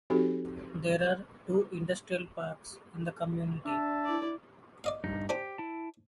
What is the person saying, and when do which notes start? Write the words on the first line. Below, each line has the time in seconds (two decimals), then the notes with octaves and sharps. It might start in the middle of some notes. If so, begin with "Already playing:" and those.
There are two industrial parks in the community.
0.10 F3 C4 D#4 F#4 G4 A4
3.65 D4 E5 A5
4.05 E4 D5
4.84 D5 D#5 F5
5.04 G2 D#4
5.29 D4 G4 C5 G#5
5.58 E4 A5